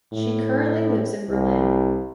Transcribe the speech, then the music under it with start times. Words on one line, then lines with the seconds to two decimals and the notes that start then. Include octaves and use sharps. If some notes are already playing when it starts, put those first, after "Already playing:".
She currently lives in Berlin.
0.12 A2
1.29 C2